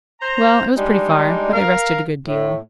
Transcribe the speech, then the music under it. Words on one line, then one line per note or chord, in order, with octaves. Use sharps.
"Well, it was pretty far, but I rested a good deal."
C5 A#5
G3 G#3 D4 D#4
A#4 F5
A2